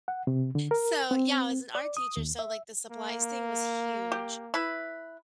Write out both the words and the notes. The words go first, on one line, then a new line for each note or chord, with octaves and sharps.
So, yeah, I was an art teacher, so, like, the supplies thing was huge
F#5
C3
D3
A#4
C4
D5
D#6
D#2
E5
A#3
G4
E4 B4